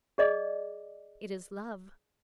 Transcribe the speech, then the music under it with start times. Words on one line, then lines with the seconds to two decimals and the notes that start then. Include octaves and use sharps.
It is love.
0.18 G#4 D5 D#5 D6